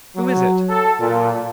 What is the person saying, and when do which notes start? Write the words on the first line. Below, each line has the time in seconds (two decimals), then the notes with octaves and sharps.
"Who is it?"
0.16 F#3
0.69 A4
1.00 A#2